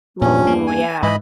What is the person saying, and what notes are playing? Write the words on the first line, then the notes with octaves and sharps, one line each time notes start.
Ooh, yeah.
E2 G2 A#2 C#4
A#3
G#5
G#2 E3 D#5 B5